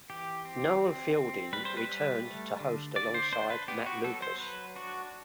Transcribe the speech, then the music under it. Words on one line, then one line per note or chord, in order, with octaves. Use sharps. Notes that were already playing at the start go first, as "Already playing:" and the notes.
Noel Fielding returned to host alongside Matt Lucas.
E3 G4
C4
C4
C4
G3 B4
C5
B4
G3
A3
D3
D3 D5
C5
D4 C5
B4
B3 G4
F#4
F#3 A4
C5
F#3 B4
D4 F#4